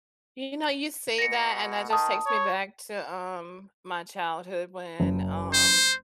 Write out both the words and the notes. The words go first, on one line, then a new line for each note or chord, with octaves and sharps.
You know, you say that, and that just takes me back to, um, my childhood when, um
B2 A#6 C#7
D#3 A5 D#6
C#5
F#1
C5